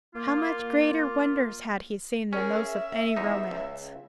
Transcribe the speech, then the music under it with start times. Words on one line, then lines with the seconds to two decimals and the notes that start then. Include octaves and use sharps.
How much greater wonders had he seen than those of any romance!
0.15 A#3 F4
2.33 C#4 G#4 A#4
2.66 E5
3.16 E2 D#4
3.51 C#2